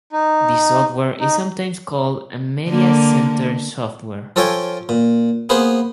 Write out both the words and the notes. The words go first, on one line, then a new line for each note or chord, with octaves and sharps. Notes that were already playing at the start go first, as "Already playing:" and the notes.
The software is sometimes called "Media Center Software".
D#4
D#4
D3 A#3
F3 F4 A4 C#5 G5 G#5
A#2
A#3 B3 G#4 B4 C5